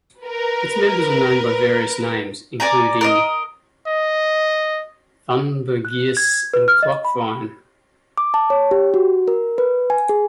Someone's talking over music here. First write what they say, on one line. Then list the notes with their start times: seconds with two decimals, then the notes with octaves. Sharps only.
Its members are known by various names, including thunbergias and clockvine.
0.24 A#4 B4
2.60 A#4 D5 G#5 A#5
3.01 A#4 D5 D#5
3.87 D#5
5.85 F#6
6.17 G#6
6.54 B4
6.68 F6
6.83 D#5
7.05 B5
8.18 D6
8.34 A5
8.50 C#5
8.71 G4
8.94 F#4
9.28 A#4
9.58 B4
9.90 G#5
10.09 G#4